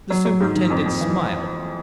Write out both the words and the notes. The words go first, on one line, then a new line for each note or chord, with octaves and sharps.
The superintendent smiled.
F#3
F#3
G#2
D#3
F2
F2
E3